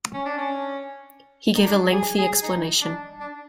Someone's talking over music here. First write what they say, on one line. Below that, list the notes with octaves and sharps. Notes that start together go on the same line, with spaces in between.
He gave a lengthy explanation.
C#4
D4
C#4
D#4
D4
G#4
G#4
D#4
D4
D4